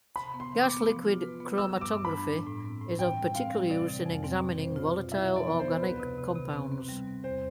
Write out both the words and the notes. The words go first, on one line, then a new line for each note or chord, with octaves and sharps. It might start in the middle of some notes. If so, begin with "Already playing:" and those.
Gas-liquid chromatography is of particular use in examining volatile organic compounds.
C3 B5
B3
C6
E3
D6
B3
F3
F4
B4
B3
G3 E6
G2
D6
G2
B5
D4
A2
A2
C4
A2
E3 G5
G3
C4 F5
G3
C3 D5
C3
F2
C4
B2
C5
F4
B2
E4 E5
F3
D5
B3
C5
B3
D2 B4
C3
C3
C3
C4
C4
G3
C4
E2 C5